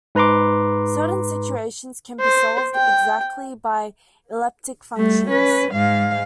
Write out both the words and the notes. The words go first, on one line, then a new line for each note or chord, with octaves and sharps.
Certain situations can be solved exactly by elliptic functions.
G#2 B4 A#5 C6 D6
C5
G5
G3 A3
C#4 B4
G#2 F5